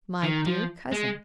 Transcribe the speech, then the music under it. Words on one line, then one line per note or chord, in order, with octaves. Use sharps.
"My dear cousin."
D#3
F3
G#3